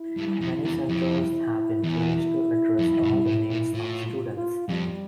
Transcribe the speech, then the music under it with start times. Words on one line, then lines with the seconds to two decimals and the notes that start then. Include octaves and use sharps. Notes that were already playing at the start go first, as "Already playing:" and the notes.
Many centers have been placed to address all the needs of students.
Already playing: E4
0.17 G2
0.42 F2
0.65 E2
0.89 F2
1.83 E2 E4
2.78 F2
3.02 G2
3.26 A2
3.50 A#2
3.74 A2 F4
4.05 F4
4.37 F4
4.69 F2 G3